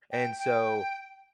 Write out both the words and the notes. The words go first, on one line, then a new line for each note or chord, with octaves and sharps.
and so
G5
G5